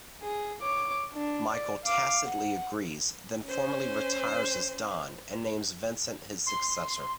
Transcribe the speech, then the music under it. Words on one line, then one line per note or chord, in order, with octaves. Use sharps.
Michael tacitly agrees, then formally retires as Don and names Vincent his successor.
G#4
C#5 D6
D4
D5
F5 D6
F#5
C#4 C5
C6